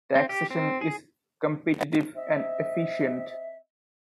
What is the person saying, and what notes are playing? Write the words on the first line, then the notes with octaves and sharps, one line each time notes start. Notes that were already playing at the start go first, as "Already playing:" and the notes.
Taxation is competitive and efficient.
C4
G4
C4
G#4
C4 D#5 E5